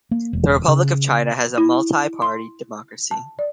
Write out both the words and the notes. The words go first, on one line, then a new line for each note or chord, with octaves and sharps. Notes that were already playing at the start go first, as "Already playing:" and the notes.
The Republic of China has a multi-party democracy.
A#3
E1
C#3
E4
C6
A5
D5